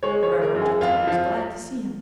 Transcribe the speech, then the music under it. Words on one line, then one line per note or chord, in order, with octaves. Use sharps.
The reverend gentleman was glad to see him.
G#3 C#5
C#5
G#3
A#4
F#2
G#4
F2 F4
F3